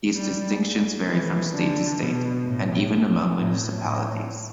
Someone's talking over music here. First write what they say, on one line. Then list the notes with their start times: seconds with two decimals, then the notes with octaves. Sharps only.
These distinctions vary from state to state, and even among municipalities.
0.15 G3
1.07 E3
1.53 D3
1.99 B2
2.45 A2
3.37 A2
3.83 A2